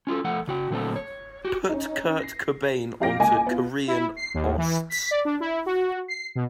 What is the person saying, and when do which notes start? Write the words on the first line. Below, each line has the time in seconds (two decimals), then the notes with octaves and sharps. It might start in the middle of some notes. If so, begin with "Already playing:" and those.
Put Kurt Cobain onto korean osts.
0.07 C#4 F4 G4 A4
0.24 F3 A3 A4 F#5
0.48 C#3 F#4 G5
0.70 A#2 D3 F#3 A3 C4 A4
0.96 C#5
1.45 F#4 G4
1.69 C#4 D#4
2.19 A#6 C7
3.00 F2 G4 F5 D6 A#6 D7
3.19 C#2 A#3 D#5 G#5 D6
3.47 B3 F4
3.88 E4
4.17 C7
4.34 D#2
4.58 E3
4.90 B6
5.11 D5
5.25 D4
5.40 E4
5.66 F#4
6.08 C7
6.35 B2